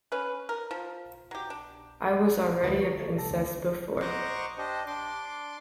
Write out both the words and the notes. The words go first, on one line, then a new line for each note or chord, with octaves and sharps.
I was already a princess before.
C#4 B4
A#4
F3
F#3 G4
D4
D2 G#3 B3 E4 D#5 A6
A#5 C#6
F3 A3
C2 A4 A#6
D2 C4
C5 D#5 F#5 A#5 C#6 D6
D4 G4 C5 D#5
D4 C6 D6